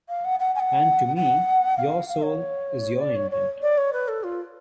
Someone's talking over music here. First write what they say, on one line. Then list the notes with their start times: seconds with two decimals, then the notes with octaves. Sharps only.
And to me, your soul is your intent.
0.09 F5
0.24 F#5
0.39 F#5
0.55 G#5
0.59 F#5
1.16 F#5
1.77 F5
2.08 F5
2.23 C#5
3.01 D5
3.15 C#5
3.31 C#5
3.62 D5
3.77 C#5
3.93 B4
4.08 A4
4.23 F4